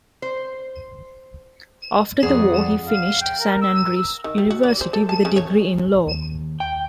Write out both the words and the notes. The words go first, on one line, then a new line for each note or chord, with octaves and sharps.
After the war he finished San Andres University with a degree in law.
C5
F2 G#4 D5 F#5 D#6
F5
G5
A#4
E6
E6
D#3
G3
F#4
D5
C5
A4
A5
C#3
C#5
D#2
G5